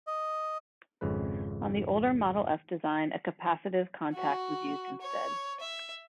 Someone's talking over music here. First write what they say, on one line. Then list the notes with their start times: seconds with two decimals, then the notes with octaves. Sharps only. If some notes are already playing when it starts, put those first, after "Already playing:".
On the older Model F design, a capacitive contact was used instead.
0.07 D#5
1.01 G#1 F2 C#3 G#3 B4
4.14 F#4
5.01 C#5
5.60 E5